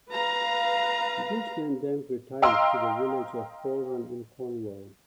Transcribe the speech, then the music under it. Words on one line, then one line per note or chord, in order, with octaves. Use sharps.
Bridgman then retired to the village of Polruan in Cornwall.
B4 F5 A#5
D#5 F5 G5 A#5 C6 E6